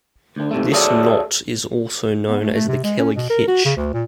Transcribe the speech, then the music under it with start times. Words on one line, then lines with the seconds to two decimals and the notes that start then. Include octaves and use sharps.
This knot is also known as the kelleg hitch.
0.36 D2 D3
0.51 G#2 C3 A3
0.72 F#4 G#4 A4 C#5 D5 E5
2.29 B3
2.41 A3
2.55 A3
2.68 C3
2.84 G#3
2.99 C#4
3.16 B2
3.30 A#4
3.48 F#4
3.65 C#3
3.77 D2
3.94 A#2